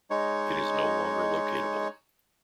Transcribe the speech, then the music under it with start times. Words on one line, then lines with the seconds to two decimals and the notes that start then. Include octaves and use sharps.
It is no longer locatable.
0.10 G#3 D#4 C#5